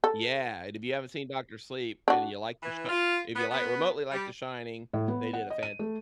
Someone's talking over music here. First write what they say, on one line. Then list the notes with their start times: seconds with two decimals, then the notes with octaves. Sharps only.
Yeah, and if you haven't seen Doctor Sleep and you like The Shi if you like remotely like The Shining, they did a fan
0.04 A4
2.08 D4 F#4
2.63 E3
2.89 F4
3.36 B3
3.51 B3
4.12 G3
4.94 A2
5.08 B3
5.33 F#5
5.50 D#5
5.63 D#7
5.79 A3